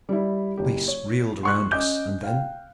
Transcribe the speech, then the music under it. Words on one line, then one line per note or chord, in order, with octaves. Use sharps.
Space reeled round us, and then....
G3 E4
F#1 G4
C#5
C6 C#6 F#6
C#4 D#5 D6 G6
F5 G5